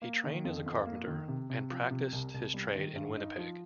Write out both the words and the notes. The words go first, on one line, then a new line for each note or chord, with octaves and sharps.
He trained as a carpenter, and practiced his trade in Winnipeg.
A#3
D#3
F2
F2
A#3
D#3
C3
C3
F3
C3
C2
C2
G3
D#3
G2
D#4
F3